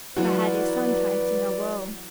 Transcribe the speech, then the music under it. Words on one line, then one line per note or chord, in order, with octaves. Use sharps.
My head is sometimes in a whirl.
E3 F#3 F4 F#4 B4 D5